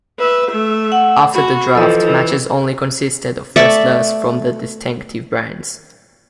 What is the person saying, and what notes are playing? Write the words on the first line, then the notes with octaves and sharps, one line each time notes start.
After the draft, matches only consisted of wrestlers from their distinctive brands.
B4 E5
A3 E5
F#5
F#4 B5
E3 F3 A4 D#5
E3
A3 D5 E5 C#6